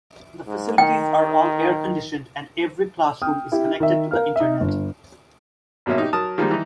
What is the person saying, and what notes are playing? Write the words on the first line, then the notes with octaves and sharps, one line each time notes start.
The facilities are all air-conditioned and every classroom is connected to the Internet.
G#2
D#3 G5
G5 D#6 F6
E4 G4
D#3 E5
A#4 F5 F6
D#4 E5
G1
G#1 B2 F#3 A#3 C#4 E5
D#4 G4
F#3 A#4 A5 D#6
D#3 F3 G3 G#3 A#3
E3 D#4